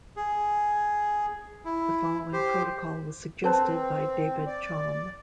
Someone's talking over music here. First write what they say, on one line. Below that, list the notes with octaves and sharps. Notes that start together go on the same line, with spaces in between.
The following protocol was suggested by David Chaum.
G#4
E4
G4 C5
C4 B4 C5 A5
D5